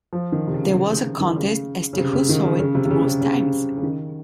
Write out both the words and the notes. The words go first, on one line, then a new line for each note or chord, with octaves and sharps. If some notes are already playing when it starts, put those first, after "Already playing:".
There was a contest as to who saw it the most times.
F3
D#3
C3
C#3
C3
C#3
D#3
C#3
C#3
C3
C#3
D#3
C#3
C#3
C3
C3
C#3
C3
C#3
C#3
C#3
D#3